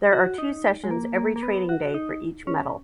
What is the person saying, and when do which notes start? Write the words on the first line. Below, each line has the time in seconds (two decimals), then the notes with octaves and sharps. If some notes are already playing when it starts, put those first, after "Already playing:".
There are two sessions every trading day for each metal.
0.13 F#4
0.38 D#4
0.84 G#3
0.91 A#3
1.17 A#3
1.36 A#3
1.43 B3
1.69 F#4
1.94 D#4
2.47 C#4